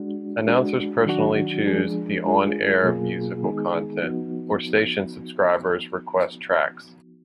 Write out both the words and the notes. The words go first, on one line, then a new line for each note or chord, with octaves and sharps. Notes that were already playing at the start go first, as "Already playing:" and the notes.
Announcers personally choose the on-air musical content, or station subscribers request tracks.
Already playing: G#3 D4 F#4
G#3 D4 F#4
D#3 F#3 D4 F#4
F3 G#3 D4 G#4
G#3 D4 F4 G#4
B2 F#3 A#3 F4 G#4
D#3 G#3 B3 D#4 G#4
F3 B3 D#4 F#4